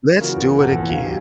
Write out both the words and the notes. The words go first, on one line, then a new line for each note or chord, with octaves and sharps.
"Let's do it again."
C#3 E3 F#3 F4 F#4 A#4
E2
F1 A#1 A#3 A4 F#5 A#5
E2
D1 D3 F5
D#2 F#3 G4 G#5